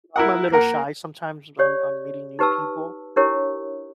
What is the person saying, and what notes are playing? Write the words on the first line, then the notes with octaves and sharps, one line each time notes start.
I'm a little shy sometimes on on meeting new people.
E4 A#4 F#5
A#3 A#4 F#5
G4 C#5 D5
D#4 G4 B4 A5 E6
D4 E4 G4 A#4 C#5